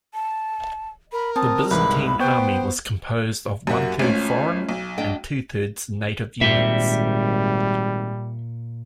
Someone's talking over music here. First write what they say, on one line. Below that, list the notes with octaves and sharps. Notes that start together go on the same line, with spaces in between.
The Byzantine army was composed of one-third foreign and two-thirds native units.
A5
A#4 B5
C4 A5 D#6
C2 G#2 B4 B5
B3 C5 G5 C#6 G6
F#2 A#3 F#4 G4 E5
G#1 A3 C#4 F4
B1
D4 D#5 G5
G#1 A#2 G3 C5 E5